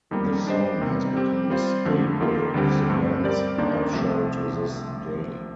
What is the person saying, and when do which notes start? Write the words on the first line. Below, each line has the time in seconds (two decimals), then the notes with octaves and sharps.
The song has become a staple of the band's live show to this day.
0.11 F2 D#3 G3 A#3
0.46 G3 D4 G4 C5 D#5
0.81 C3 D#3 G3 C4
1.15 G3 C4 G4
1.50 G3 C4 F4 C5
1.85 F2 D3 F3 A3
2.20 F2 D#3 A#3 F4
2.54 D2 D3 G3 C4 G4
2.89 G2 F3 A3 C4
3.23 G3 C4 G4 A#4 D5
3.58 D#2 D#3 A#3 D4
3.93 C2 C3 F3 A3